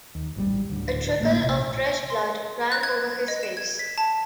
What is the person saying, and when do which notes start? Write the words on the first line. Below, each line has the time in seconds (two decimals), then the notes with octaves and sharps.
A trickle of fresh blood ran over his face.
0.15 D#2
0.36 A1 G#2 F#3 G3
0.69 D1 D3
1.19 G#1 A2 D#3 A#3
1.42 A#1 D#2 C3
2.10 C6
2.72 F#6
2.83 G#6
3.28 D#5
3.43 E7
3.57 G#6
3.79 B6
3.98 A5